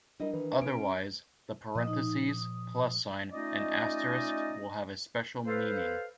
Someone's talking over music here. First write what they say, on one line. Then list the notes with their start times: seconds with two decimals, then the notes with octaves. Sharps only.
Otherwise, the parenthesis, plus-sign, and asterisk will have a special meaning.
0.20 G3 D4 E4 A#4 D#5
0.34 D#3 E3 B4
0.62 C#4 C#5 D7
1.75 A#2 F3 D#5 D#6
1.87 D#4 D#6
2.29 D#6
3.31 A3 C#4 D#4 F4 D5 D#5
5.46 A4 B4 C5 F5